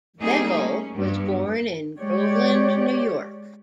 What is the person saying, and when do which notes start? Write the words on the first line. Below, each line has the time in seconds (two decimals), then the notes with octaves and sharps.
Begole was born in Groveland, New York.
0.19 G3 A3 A#3 C4 D#4 G#4
0.57 C#4
0.95 G2 B3
1.99 G#3 G4 C#5 D5